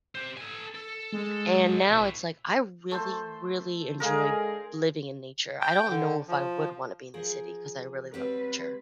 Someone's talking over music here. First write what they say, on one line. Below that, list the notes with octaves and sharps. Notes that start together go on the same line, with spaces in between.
and now it's like, I really, really enjoy living in nature. I don't know if I would wanna be in the city 'cause I really love nature.
G4 C5
A4 G#5
A4
G#3
G4 A4
B1 C#4 E4
A3 A4 C5
D3 G#3 G#4 A#4 F5 G#5
G5
D3
F3
F3 G#4 A#4
F#3 G3 C4 B4